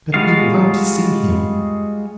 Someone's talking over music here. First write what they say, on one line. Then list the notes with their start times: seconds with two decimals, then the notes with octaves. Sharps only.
But we want to see him.
0.14 G3 G#3 F4 F#4 F5